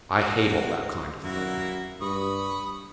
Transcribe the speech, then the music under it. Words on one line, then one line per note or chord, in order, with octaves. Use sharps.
I hate all that kind of thing.
A#3 F#4
F#2 A#3 E4 F#4
G2 B5 C#6 D#6